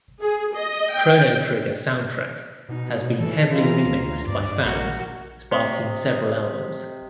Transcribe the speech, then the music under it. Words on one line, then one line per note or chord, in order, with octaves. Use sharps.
"Chrono Trigger" soundtrack has been heavily remixed by fans, sparking several albums.
G#4
D#5
G5
B2 D#4
E3 A4
E3 F4 A#5
D2
G2 D5
A#1 F#4 A#4
C3 D#5